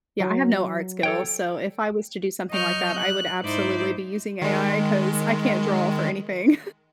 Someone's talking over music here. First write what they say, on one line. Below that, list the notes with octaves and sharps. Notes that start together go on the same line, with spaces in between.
Yeah, I have no art skills. So if I was to do something like that, I would absolutely be using AI 'cause I can't draw for anything.
F#3
A4 C#5 G5
F#3 D#5 C#6 F6 G6
F#6
G#2 D#4 E4 C5 D5 G6
D#3 G#3